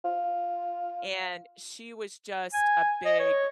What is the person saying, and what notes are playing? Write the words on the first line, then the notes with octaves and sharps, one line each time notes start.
and she was just a big,
F4
G#5
D#5
C#5